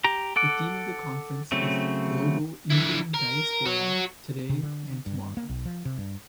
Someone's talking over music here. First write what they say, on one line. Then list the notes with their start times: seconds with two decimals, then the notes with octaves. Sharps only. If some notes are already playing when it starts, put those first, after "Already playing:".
The theme of the conference is "Global Indian Diaspora: Today and Tomorrow".
0.04 G4 A#5
0.36 A4 F#5 D6
1.52 C#3 F#3 A3 C4
2.70 D3 E4
3.14 A#4
3.66 F#4 C#5
4.49 C3
4.63 D3
5.06 G2
5.37 A#3
5.49 B1
5.65 F3
5.85 C3
5.98 G2